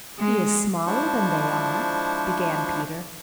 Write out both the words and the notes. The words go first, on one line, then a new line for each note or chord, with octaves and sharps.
"He is smaller than they are," began Peter.
G#3
F3 G#3 D4 E4 C5 C#6